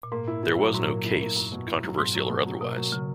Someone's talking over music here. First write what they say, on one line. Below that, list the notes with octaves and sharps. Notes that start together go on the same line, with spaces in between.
There was no "case," controversial or otherwise.
A#2
G#2 A#3
E4
E4
F#3
A#2
G#2 F#3
A#3
E4
A#3
F#2 A#3
B2
E4
F#3
G#2 B2
F#3
B2
F#3
B2 A#3
F#3
C#3 F#3